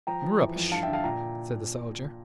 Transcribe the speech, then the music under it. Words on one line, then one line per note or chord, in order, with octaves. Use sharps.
"Rubbish!" said the soldier.
F3 G5 A#5
F3
E3
F2
G2 F5 A5
D3 E5 G5
F5 A5
A#2 G5 A#5